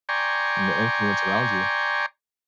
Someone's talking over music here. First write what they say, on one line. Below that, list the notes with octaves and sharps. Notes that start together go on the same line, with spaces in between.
And the influence around you.
D5 G5 G#5 A#5 C6 C#6